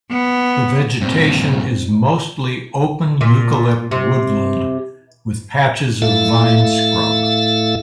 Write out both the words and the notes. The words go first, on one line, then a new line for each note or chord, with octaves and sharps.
The vegetation is mostly open eucalypt woodland with patches of vine scrub.
B3
G2 A#2 G3 C4
A#2
C3
A2 A3 E4 A4 E5 F5